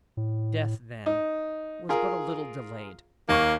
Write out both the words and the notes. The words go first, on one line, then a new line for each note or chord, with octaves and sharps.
Death, then, was but a little delayed.
A2
D#4
F4 G#4 A#4
D#2 A#3 C#6